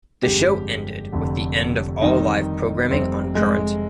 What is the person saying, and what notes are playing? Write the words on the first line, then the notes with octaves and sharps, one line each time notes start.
The show ended with the end of all live programming on Current.
G1 F2 D3 G#3 G4
F1 F2 D3
F2 D#3 G3 D#4
F1 F2 C3 G3 C4
G#3